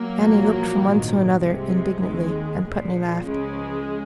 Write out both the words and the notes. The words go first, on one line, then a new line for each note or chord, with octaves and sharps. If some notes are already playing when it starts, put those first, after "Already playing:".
Annie looked from one to another indignantly, and Putney laughed.
Already playing: F#3 A#3
C2 A#2 F3
A#1 G#2 D#3
C2 C3 F3 G#3
D#2 D#3
A#1 A#2 F3
C#2 C#3 F3 G#3